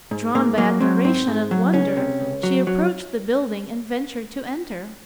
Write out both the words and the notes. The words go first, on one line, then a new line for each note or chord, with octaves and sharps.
Drawn by admiration and wonder, she approached the building and ventured to enter.
G#2
G#2 A#3
F#3 A#3
F#3 C4
G#2 C4
G#2
F#3
C#2 C#4
C3
C#2
F#3
F#3